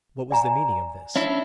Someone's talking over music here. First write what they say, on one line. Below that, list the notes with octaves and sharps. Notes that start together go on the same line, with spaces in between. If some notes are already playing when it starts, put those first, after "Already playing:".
What was the meaning of this?
D5 G#5 A#5
C#4 D4 E4 E5